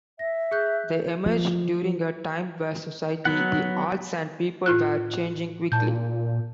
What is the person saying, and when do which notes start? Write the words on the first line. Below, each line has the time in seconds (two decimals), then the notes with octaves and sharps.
They emerged during a time where society, the arts and people were changing quickly.
0.19 E5 A#6
0.51 G#4 F#6 G6
1.26 F3
3.25 F#3 B3 F#5
4.66 A2 F4 F#6
5.72 A#2 A5 G6